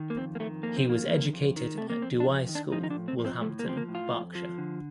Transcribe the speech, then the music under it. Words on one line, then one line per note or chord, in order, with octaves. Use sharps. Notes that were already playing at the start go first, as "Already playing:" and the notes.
He was educated at Douai School, Woolhampton, Berkshire.
Already playing: D#3
A#3
F2 C4
A#3
D#3 A3
F2 A#3
C4
D#3 A#3
F2
F2
D#3
C3 A3
A#3
F2 C4
D4
F2
D#3
D4
F3 D#4
D#4
D4
A2
C4
F3
C4
A2 A3
A#3
F3 C4
A#3
A2
F4
F2
F3
D3